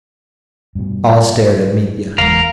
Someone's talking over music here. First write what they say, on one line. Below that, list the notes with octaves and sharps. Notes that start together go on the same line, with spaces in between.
All stared at Mitya.
G2 B2
F#1 E2 G#3 A#4 F5